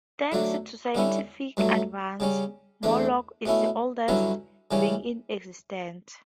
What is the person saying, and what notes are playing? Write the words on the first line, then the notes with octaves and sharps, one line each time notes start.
Thanks to scientific advances, Morlock is the oldest being in existence.
D3 F#3 A3 D4
D3 G3 C#4 E4
G2 F#3 A3
C#3 G3 C#4
E2 D3 A3 D4
B2 A3 C#4 E4
G2 D3 F#3 C#4 E4
C#3 E3 G3 C#4